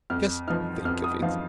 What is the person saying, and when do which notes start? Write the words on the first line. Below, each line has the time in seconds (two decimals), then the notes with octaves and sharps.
Just think of it!
0.10 F2 F6
0.47 F3 D#4 F6
0.85 F2 F6
1.04 D#6
1.22 F3 D#4 F5